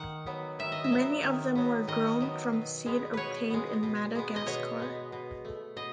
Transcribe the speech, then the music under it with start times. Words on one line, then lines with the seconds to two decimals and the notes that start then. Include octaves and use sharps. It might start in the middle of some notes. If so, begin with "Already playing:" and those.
Many of them were grown from seed obtained in Madagascar.
Already playing: D#3 F#5
0.26 F#3 B3
0.59 D#3 E5
0.72 D#5
0.84 E5
0.92 F#3 B3
1.23 D#3
1.55 F#3 B3
1.88 D#3 D#5
2.21 F#3 B3
2.53 B2
2.86 G#3 B3
3.13 B2 B4 C#5
3.50 G#3 B3
3.83 B2
4.15 G#3 B3
4.36 D#5
4.46 B2 C#5
4.79 G#3 B3
5.12 B2
5.45 A3
5.76 B2 D#5